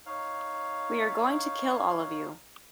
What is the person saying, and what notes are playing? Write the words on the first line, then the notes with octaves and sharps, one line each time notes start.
We are going to kill all of you.
D#4 C#5 F5